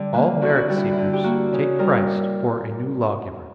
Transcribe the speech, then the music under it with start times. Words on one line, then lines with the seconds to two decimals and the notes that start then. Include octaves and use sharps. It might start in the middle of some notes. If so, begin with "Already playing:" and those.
All merit-seekers take Christ for a new lawgiver.
Already playing: D3 G3
0.13 A#3 B4
0.42 D3 F#4
0.48 E4
0.55 F#4
0.68 G3 F#4
0.77 E4
0.92 D3 E4
1.13 G4
1.24 A#3 F#4
1.52 C#3
1.79 G3 A#4